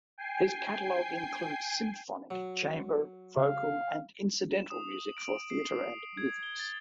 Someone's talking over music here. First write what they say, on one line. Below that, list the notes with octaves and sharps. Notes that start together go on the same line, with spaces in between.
His catalog includes symphonic, chamber, vocal and incidental music for theater and movies.
G5 G#5 C7
F#3
C#3 F5
E7
D#6
F#7
D7
C7
D#6
G#6
G7
A6